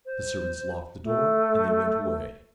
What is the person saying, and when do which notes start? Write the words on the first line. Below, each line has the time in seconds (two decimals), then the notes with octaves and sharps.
The servants locked the door, and they went away.
0.05 C5
1.03 A3